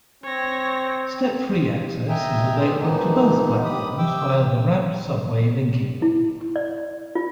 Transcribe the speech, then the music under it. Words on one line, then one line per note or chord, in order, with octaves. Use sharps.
Step-free access is available to both platforms via the ramped subway linking them.
C4 C#5 A#6
D#5 E5 G5 G#5 A#5
G2 E3 C4 G#4 C6
E3 F3 G#3 A#3 B3 D#4
G2 D#3 G4 B5 D#6
C3 G5 D6 E6
E4
D5
F4